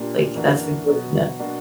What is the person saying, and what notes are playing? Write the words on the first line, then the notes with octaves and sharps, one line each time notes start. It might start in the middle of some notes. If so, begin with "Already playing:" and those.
Like, that's the good yep.
Already playing: A#2 A#3 D4 G4
F#2 E3 A#3 D4 F#4
B2 F#3 B3
B2 A#3 D4 F#4